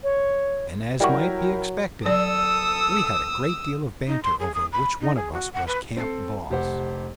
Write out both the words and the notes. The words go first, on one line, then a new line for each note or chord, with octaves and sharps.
And as might be expected, we had a great deal of banter over which one of us was Camp Boss.
C#5
F#3 G3 E4 F#4 A#4 G5
F#3 A4 D5 D#6 E6
D#4
C6
G#4
D#6
B5
D#4
G#4
F#4
F#5
B4
C4 A4 C7
F1 G4 C5 F#5